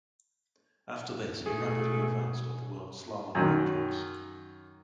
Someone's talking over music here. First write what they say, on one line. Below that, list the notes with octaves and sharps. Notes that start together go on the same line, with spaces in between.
After this he rapidly advanced up the world slalom rankings.
B2 A3 G#4
F#2 D#3